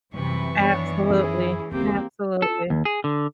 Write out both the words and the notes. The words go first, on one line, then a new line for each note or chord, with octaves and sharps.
Absolutely, absolutely.
F#2 C3 E3 G3 C4 B4 C#6
F#2 D#3 B3 D4 C#5
C#4 E4 G#4
F#1 D#2 A#3 C4 G4
A4
D#2
G#4
D3